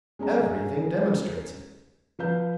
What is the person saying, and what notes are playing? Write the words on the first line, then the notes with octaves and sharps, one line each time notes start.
Everything demonstrates it.
G#3 C#4 D#5 A#5
F3 B4 F5 G6